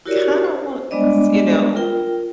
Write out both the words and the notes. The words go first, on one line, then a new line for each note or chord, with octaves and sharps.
kinda wanna s you know,
E4 F#4 G4 A#4 C#5 D5
C5
G3 G#3 B3 D4 D5 D#5
F4 A#4 G5